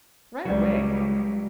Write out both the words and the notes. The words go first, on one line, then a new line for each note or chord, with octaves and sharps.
"Right away."
C#2 F#3 G3